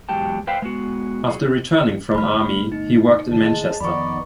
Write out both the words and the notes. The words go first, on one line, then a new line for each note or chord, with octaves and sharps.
After returning from army he worked in Manchester.
E2 F#3 G#3 G4 G5 A5
B4 C5 E5 F5 G5
G#3 B3 F#4
F#3 G#4
G1 A3 B5 F6
D#4
C3 D#3 E3 G#3 A5
F2 D#3 B3 D#4 D5 B5 C#6